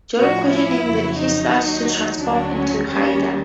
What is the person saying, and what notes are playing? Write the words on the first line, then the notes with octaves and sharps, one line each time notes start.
During questioning he starts to transform into Hyde.
A2 F3 F#4
E4
F2 C#3 F#3
D#4
D#2 D#3 F#3
D2 D3 F#3 D4
C#4
D#2 D#3 G3 C#4